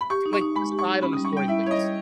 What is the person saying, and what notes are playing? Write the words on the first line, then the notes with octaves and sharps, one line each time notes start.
Like, decide on the story, please.
B5
G4 C#6
D#4
C#6
D#4
G#3 B5
G4
C#6
D#4
C#4 B5
D#6
G3
C#6
G3 G5
E4 E5
E4 C#5
D#5
G3